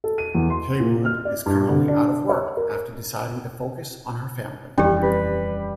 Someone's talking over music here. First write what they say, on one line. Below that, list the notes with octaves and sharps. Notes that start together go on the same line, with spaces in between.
Cawood is currently out of work after deciding to focus on her family.
A4
D#7
E2
C6
A#2
F6
D5
G2
D3
D4
C#5
A#4
D#1 F2 E3 G3 C#4 G4
B4